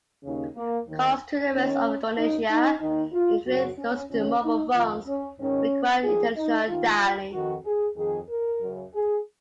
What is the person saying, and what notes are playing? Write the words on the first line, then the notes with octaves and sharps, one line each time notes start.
Calls to the rest of Indonesia, including those to mobile phones, require international dialling.
D#2 C#3
A#3
D#2 D#3
D#2 D#3 C#4
D#2 C#3 D#4
D#4
D#2 D#3 D#4
F4
F#2 C#3 F#4
C#4
F2 D#3 C#4
D#4
F2 D#3 F4
C#4
G#2 D#3 C#4
F2 D#3 G#4
D#4
D#2 D#3 F4
F2 D#3 F#4
G#4
F2 D#3 G#4
A#4
F#2 C#3
G#4